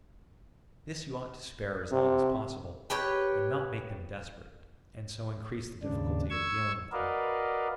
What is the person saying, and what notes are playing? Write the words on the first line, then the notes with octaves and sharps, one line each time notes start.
This you ought to spare as long as possible, and not make them desperate, and so increase the difficulty of dealing with them.
C3
G4 B4 C#5 G5
D#2 G#2 C#3 D4
C#6 E6 G#6
F#4 A#4 B4 D5 D#5 F5